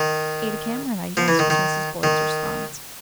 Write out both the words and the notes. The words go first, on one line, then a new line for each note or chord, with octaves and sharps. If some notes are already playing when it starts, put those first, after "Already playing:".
"Ada Cameron, I guess," was Mrs. Boyd's response.
Already playing: D#3
F3
E3
D#3
D#3
D#3